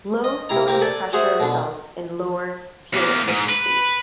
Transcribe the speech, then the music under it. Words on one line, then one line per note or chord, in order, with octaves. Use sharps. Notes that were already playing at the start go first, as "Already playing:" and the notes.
Low cylinder pressure results in lower fuel efficiency.
D#5
C3 E4 A#5
C3 A#3 C4 A#4
A4 D5 G#5 A5
F#4 G#4 C5 E5
B2 D3
E2 A#3
G#2
B4